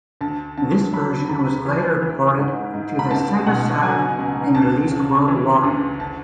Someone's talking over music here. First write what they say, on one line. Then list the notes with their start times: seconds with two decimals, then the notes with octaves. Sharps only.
This version was later ported to the Sega Saturn and released worldwide.
0.21 D2 A5
0.57 D3 A5
0.93 F#3 B5
1.29 D2 B5
1.65 E3
2.02 E3
2.38 G#2
2.74 G#2
2.99 B5
3.10 C#2 A5
3.47 B2 F#5
3.82 F#3 G#5
4.19 C#2
4.55 D2 A5
4.91 C#3
5.28 E3
5.63 D2
6.00 A5